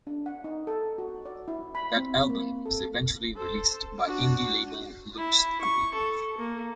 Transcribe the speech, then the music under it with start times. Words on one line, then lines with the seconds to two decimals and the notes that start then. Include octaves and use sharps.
That album was eventually released by indie label Loose Groove.
0.07 D4
0.26 F#5
0.44 D#4
0.67 A4
0.98 F#4
1.26 D5
1.48 E4
1.75 B5
1.96 C4
2.29 A#3
2.66 A4
3.37 A4 C5
4.05 D4 F#4
5.17 E4
5.61 C#6
5.94 A4
6.38 A#3